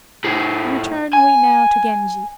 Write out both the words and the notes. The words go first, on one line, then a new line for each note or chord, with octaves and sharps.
Return we now to Genji.
A2 G#4
G#5